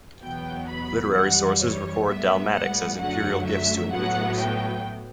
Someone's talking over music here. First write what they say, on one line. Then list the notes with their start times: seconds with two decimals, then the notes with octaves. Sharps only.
Literary sources record dalmatics as imperial gifts to individuals.
0.22 E2 B2 F#3 B3 G5
0.68 B5
1.14 F#2 E3 G3 F#5
1.61 C#5
2.07 A2 G3 B3 E5
2.54 F#5
2.99 F#2 D3 F#3 A3 F#5
3.47 E5
3.93 A2 F#3 B3 F#5
4.40 G5